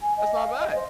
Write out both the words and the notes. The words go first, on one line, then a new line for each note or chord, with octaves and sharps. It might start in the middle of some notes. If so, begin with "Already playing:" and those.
That's not bad."
G#5
D#5
F5
D#5
C5